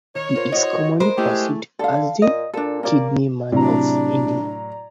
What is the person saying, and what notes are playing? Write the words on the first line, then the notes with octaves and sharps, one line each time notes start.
He is commonly perceived as the "Kidney Man of India".
D#3 C#5
F4 A#4 C5
E4 F#4 C5 D#5
G#3 A#4 C5
G#3 A3 E4 G4 G#4
D3 A4 F5
A#2 D#5
A#2 D4 A4
A#3 C#4 D5
A2 C3 F#3 D4 D5 A#5